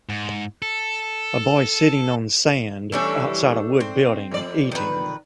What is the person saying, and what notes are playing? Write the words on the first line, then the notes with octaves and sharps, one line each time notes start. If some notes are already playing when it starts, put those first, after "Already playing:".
A boy sitting on sand outside a wood building eating.
G#2
A4
E3 G3 A3 C#4 D4 A4
C4
F2 D5
D#3 B4